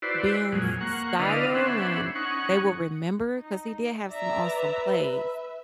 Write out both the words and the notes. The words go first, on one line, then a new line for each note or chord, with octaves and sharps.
Ben's style, and they will remember, 'cause he did have some awesome plays.
E4 F#4 B4 C5 D5
F2 A#2 F#3 G#3
A#3 F#5 C#6
D3 D4 E4 B4 D#5 F5
B3 C#4 D4 C5 E5 F#5
C#4 D#4 F#5 C#6
D#4
D5 E5 A#5
B4
E5